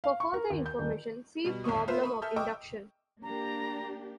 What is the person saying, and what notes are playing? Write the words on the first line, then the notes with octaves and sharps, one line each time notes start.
For further information, see Problem of induction.
F5
C#6
A#4
D#2
G6
D#1
B2 G3
G1 D#2 A2 C#6 D#6
A#3 F4 B4 C5 E5
B5 C#6 D#6
A4 E5 F6 G6
D#5 G5 C#6 D6 E6
A#3 D4 G4 A#5